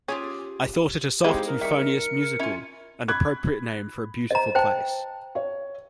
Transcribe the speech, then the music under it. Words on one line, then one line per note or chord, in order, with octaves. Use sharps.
I thought it a soft, euphonious, musical and appropriate name for a beautiful place.
C#4 F4 G4 G#4
G#3 C4 D#4 E4 G4 D#5 F5
A#4
D#3 G3 E5 C#7
C#4 E4 F4
B5 F#6 G#6
C5 D#5 A#5
C5 G5 A5
C#5